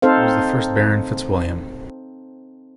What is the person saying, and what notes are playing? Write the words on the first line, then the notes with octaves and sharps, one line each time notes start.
He was the first Baron FitzWilliam.
C4 D#4 A4 C5 F5